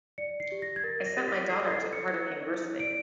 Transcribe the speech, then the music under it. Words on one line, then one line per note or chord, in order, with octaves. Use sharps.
I sent my daughter to Cardiff University.
D5 C#7
C7
G4
A#6
G#6
A#4 A6
A#6
G4
B6
A4 C7
C7
A4
C#7
C#5
E4
D5 D7